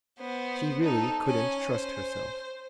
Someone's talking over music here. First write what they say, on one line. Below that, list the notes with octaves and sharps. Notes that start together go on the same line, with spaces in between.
She really couldn't trust herself.
B3 C5
D#4 A4
C#4 G#5
C5